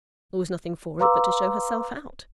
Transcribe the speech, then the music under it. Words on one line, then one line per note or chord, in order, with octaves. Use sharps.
There was nothing for it but to show herself out.
B4 F5 A#5 C6 D6 E6